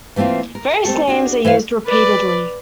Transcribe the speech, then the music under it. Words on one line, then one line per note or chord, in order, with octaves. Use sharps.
Various names are used repeatedly.
E3 A3 A#3 C4 F4
A#4
A3 C4 G4 A4
D4 F#4 G#4
E3 E4 C5 F5
B4 D5